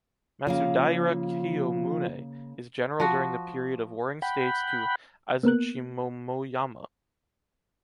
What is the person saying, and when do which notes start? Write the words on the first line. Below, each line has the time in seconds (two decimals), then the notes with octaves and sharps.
Matsudaira Kiyomune is General during the period of Warring States to Azuchimomoyama.
0.47 C#3 F3 A#3 F4 F5
3.00 F3 F#4
4.22 F#5 G5 B5
5.43 A#3 B3 A#4 F#6